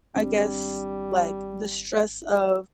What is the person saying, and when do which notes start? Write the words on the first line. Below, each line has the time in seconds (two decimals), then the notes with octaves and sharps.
I guess, like the stress of
0.16 G#1 G3 C4 D4